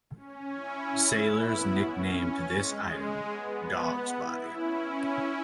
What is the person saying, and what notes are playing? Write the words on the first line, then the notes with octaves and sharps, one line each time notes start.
Sailors nicknamed this item "dog's body".
C#4
E4
E4
B3
C#4
C#4
G#3
B3
E4
C#4